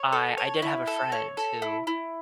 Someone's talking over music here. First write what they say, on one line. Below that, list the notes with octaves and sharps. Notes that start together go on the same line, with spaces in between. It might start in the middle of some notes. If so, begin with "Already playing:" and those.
I I did have a friend who
Already playing: C#5
A4
C#5
E4
A4
C#5
A4
E4
E4